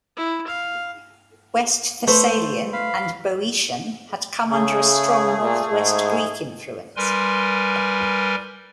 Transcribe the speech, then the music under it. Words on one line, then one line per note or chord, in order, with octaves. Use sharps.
West Thessalian and Boeotian had come under a strong Northwest Greek influence.
E4
F5
A3 B4 C5
F5 B5
C#3 A3 G#4
A#2
G#2
G3 A#4 B4 G#5 C6